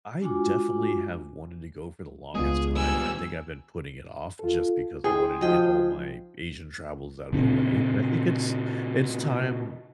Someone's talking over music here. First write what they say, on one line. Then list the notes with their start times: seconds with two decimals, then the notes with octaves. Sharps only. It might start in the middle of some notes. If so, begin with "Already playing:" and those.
I definitely have wanted to go for the longest time. I think I've been putting it off just because I wanted to get all my Asian travels out of the way, but I think it's it's time
0.22 G#3 D4 F4 F#4 G#5 D6
2.35 C#2 G#3 B3 D4 F4 G#4
2.75 D#3 G3 G#5 E6
4.39 F4 A4
5.04 E4 G#4 G5 C6
5.41 F3 D#4 F#4 D#5 G5
7.33 A#2 C#3 C4 D4